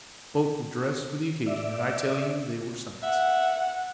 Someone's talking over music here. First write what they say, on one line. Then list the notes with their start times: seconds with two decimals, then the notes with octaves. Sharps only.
Both were dressed for the occasion, and I tell you they were sights!
1.46 D5 E5
3.03 E5 F#5